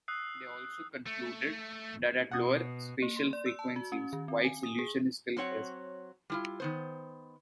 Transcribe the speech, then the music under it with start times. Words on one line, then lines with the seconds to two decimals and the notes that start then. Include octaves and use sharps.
They also concluded that at lower spatial frequencies White's illusion is still present.
0.08 D#6 E6 F#6 C7
1.07 A3
2.31 B2 F#5 D#6
3.02 A#3
3.16 C6
3.33 D5
3.46 E6
3.59 A5
3.76 F#4
3.92 C#4
4.13 D#3
4.28 C4
4.44 G#5
4.63 D#6
4.79 G#4
5.37 F#3 C4 C#5 F#5
6.30 G3 E4 F4
6.60 D#3 B3 C5